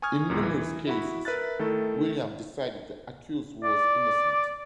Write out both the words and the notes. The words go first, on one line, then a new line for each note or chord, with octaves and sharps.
In numerous cases Willam decided the accused was innocent.
G#5 C#6 D#6 F6 G#6
B1 E2 A#2 D#4
E3
E4 F#4 B5
A#4 B4 E5 F#6 A6
D#3 A3 E4 A4
D5